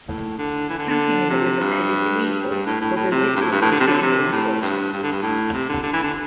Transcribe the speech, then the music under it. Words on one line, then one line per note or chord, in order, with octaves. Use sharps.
Camping in the riverbed is illegal, although this law is rarely enforced.
A2
D3
E3
D3
D3
C3
G2
G2
A2
A2
A2
C3
G2
A2
G2
A2
D3
C3
D3
C3
A2
G2
G2
D3
G2
A2
C3
D3
D3
E3
D3